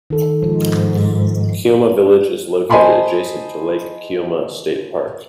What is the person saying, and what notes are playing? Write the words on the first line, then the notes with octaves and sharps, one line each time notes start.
Keomah Village is located adjacent to Lake Keomah State Park.
D#3 A4
G#2 F3
C5 D#5 G#5 A5 B5 C6